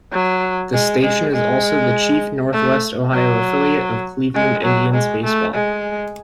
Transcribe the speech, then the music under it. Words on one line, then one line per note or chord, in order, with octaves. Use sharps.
The station is also the chief Northwest Ohio affiliate of Cleveland Indians baseball.
F#3
G#3
G#3
G#3
A3
F#3
G#3
F#3
G#3
A3
G#3